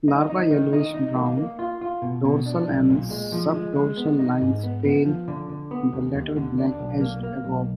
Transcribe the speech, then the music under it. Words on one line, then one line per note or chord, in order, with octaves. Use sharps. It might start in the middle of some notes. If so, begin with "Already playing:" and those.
Larva yellowish brown; dorsal and subdorsal lines pale, the latter black -edged above.
D#4
D#4
D#3
D#4
D#4
A#3
A#3
F4
F4
B2
B2
D4
B1
A#2
G#3
F3
G#3
G#3
B3
D#4
G#2
B3
B3
F3
D3
D3
B3
D#2
D#2
D3
D4
B1
A#3
A#3
B1